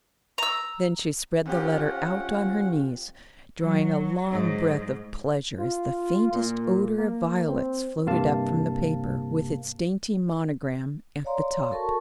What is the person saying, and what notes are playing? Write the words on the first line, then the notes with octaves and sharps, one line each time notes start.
Then she spread the letter out on her knees, drawing a long breath of pleasure as the faintest odour of violets floated up from the paper with its dainty monogram at the top.
A#5 E6
F2 F3 C#4 G4 F#5
F#3
G#2
F4
A#2
A#3
C4
G2 C3 A#3 F5 A5
C#5 D5 F5 A#5 C6
F#4 A4 A#4 A5 C#6